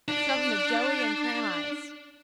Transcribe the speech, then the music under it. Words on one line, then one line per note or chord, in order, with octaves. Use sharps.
Shove him a joey and grahamise.
D4